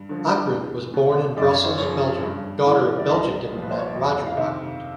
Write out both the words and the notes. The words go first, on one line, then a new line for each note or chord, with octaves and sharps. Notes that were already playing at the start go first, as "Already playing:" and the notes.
Ockrent was born in Brussels, Belgium, daughter of Belgian diplomat Roger Ockrent.
Already playing: G2
D3 F3
E2
B2
F#2 D5
C#5
C5
C#3 F3 C#5
G2
E3
D5
C2 D#5
A#2 F3
B4
C5
C#5
D5
F2 D#5
F5
C3 D#3 E5